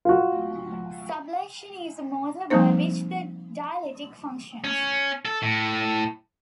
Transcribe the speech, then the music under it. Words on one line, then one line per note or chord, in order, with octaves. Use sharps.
Sublation is the motor by which the dialectic functions.
F4 F#4
F3 G3 A#3 C4 D#4 C5
C#4
A4
A2